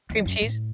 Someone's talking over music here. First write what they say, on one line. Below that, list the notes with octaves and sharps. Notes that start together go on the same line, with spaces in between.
Cream cheese?
E2
F#2
A2